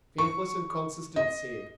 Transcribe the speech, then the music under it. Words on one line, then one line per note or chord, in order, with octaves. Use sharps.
Faithless inconsistency!
C#6
D#5